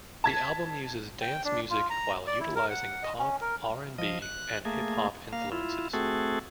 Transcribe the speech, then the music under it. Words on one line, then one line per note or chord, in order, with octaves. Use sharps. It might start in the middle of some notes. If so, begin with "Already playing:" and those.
The album uses dance music while utilizing pop, R and B, and hip-hop influences.
A5 G#6 B6
G5
D4
F4
A#5
D5
E4
A#4
F#5
D#5
C#4
A#4
F3 D#5
F#6
A3 A#3 G#4
A#3 F5
E4 F4
A3 C4 F#4 G#4 A4